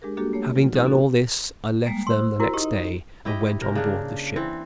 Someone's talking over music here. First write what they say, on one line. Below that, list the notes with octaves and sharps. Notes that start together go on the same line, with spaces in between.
Having done all this I left them the next day and went on board the ship.
G#3 D4 G4 G#4 A#4
G3 A#3 D4 F#4 G4 A4
A3 A#3 C#5
A#2 E3 F#3 F4
C#4 D#4 F#4 G4
B3 C#4 F#4 A4
G3 G#3 A#3
C5 C6 E6
E4 F#4 A#4
D#4 G4 D#5
E4 G4 D#5
C3 A#4
C#3 A#3 D4
E3 C4